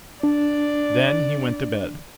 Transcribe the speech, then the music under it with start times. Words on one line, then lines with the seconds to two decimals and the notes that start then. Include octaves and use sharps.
Then he went to bed.
0.23 D4 D5